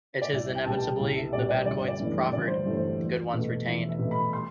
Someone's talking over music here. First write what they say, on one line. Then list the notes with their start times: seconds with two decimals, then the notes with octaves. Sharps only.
It is inevitably the bad coins proffered, good ones retained.
0.22 D5
0.32 C2 E5
0.55 G5
0.66 B2 G3 A5
0.77 G5
1.00 C2
1.16 E5
1.33 B2 G3 D5
1.49 D5
1.65 G1 D5
1.88 D5
2.00 G2 E3 A3
2.32 G1 D5
2.47 C5
2.66 G2 E3 A3
2.74 C5
3.00 E2
3.33 B2 A3
3.66 E2 E5
3.89 E5
3.99 B2 A3
4.11 B5
4.33 C6